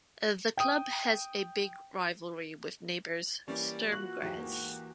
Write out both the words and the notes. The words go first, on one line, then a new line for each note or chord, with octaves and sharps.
The club has a big rivalry with neighbours Sturm Graz.
G5 D#6
E3 G3 A#3 C#4
F#4 F#7
E2 G#2 F#3 G4
G#2 A#3